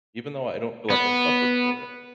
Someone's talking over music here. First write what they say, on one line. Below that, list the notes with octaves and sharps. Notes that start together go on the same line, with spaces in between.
even though I don't feel like I suffered for it.
B3